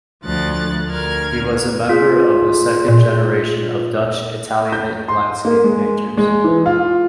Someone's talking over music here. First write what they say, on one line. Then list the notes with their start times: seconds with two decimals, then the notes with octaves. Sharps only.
He was a member of the second generation of "Dutch Italianate landscape" painters.
0.24 D2 F3 F#6 A6
0.88 D2 A#4 F6 G#6
1.89 F4 G#4
2.88 A#2
4.72 G6
5.08 C6
5.45 A#3
5.64 G#3
6.17 G#3
6.44 E3
6.66 F4